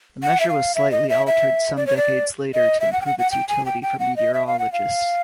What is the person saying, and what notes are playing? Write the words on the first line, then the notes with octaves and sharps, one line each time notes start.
The measure was slightly altered some decades later to improve its utility for meteorologists.
F#5
E5
F5
E5
D#5
E5
E5
D5
C#5
D5
D#5
E5
F#5
G5
F#5
F#5
G5
G#5
G5
G5
F#5
D#5
E5
F5
F#5
F5